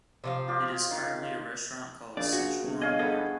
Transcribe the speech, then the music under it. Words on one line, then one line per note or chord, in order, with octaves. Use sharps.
It is currently a restaurant called Sichuan Garden.
C3 F3 F5
F4 G4 D#5
D#3 F5
A#1 C#3 D5
F#4
G1
C#5 D#5 F5 G#5
B2 G#4 A4 D#5 B5